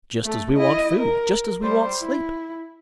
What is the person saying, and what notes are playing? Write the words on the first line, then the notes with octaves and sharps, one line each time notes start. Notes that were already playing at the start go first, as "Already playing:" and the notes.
Just as we want food, just as we want sleep.
A3 A4
E4 D#5
A#4
G3 C5
E4